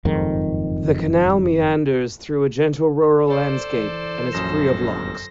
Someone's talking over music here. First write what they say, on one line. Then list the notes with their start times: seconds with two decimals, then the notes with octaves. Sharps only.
The canal meanders through a gentle rural landscape and is free of locks.
0.05 F#1 F2 G#2 D#3
3.28 A4 C5 D5
3.78 E3
4.33 A#1 F#2 A#6 E7
4.70 G1